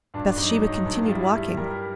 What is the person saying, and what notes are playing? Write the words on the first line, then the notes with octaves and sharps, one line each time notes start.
Bathsheba continued walking.
G2 D4
D4
F#3 D#4
F#3 D#4
G2
F4
G3 E4
G3
G3 A#4